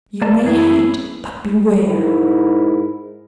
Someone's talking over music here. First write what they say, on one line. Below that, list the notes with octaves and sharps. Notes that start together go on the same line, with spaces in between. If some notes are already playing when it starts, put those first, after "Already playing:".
You may hate, but beware!
A#3 A#4 D5 A5
F#2 E3 E4 G#4
G#2 E4 A#4